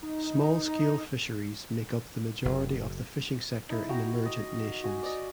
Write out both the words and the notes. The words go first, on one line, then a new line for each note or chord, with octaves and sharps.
Small scale fisheries make up the majority of the fishing sector in emergent nations.
D#4
F#1
D#4 E4
F#4 G5 A#5 C#6
D#5
F#4 G#5
D5 D#5